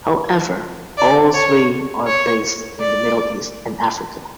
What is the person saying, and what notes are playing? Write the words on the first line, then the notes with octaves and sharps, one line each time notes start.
However, all three are based in the Middle East and Africa.
D5
C#5
C#5
D5